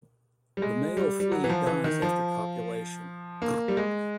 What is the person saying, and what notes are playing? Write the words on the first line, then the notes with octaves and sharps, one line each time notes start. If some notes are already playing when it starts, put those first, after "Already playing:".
The male flea dies after copulation.
G3
G#3
G3
G3
F#3
E3
F3
E3
D#3
F3
A#3
G3
G#3